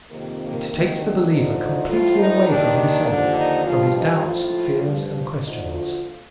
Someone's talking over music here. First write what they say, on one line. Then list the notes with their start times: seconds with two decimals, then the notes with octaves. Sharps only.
It takes the believer completely away from himself, from his doubts, fears, and questions.
0.11 F2 C3 D#3 A#3
0.41 A#3
0.70 D2 C3 D#3 A#3
1.00 D4
1.29 D2 D3 F3 D#4
1.59 D#4
1.89 A2 F3 F4
2.18 D#4
2.48 D#2 D#3 D4
2.77 D4
3.07 D#2 D3 F3
3.37 D#4
3.66 G2 F3 F4
3.96 D#4
4.25 A2 F3 F4
4.85 G2 F3
5.44 D2 D3 F3 D#4
5.74 F4